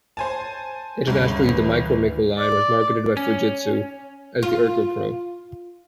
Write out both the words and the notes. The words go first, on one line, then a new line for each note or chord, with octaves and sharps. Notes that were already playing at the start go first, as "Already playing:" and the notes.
Internationally the MikroMikko line was marketed by Fujitsu as the ErgoPro.
C5 G#5 A5
G1 D2 G2 C#3
D2 E3
D5
C#4
F4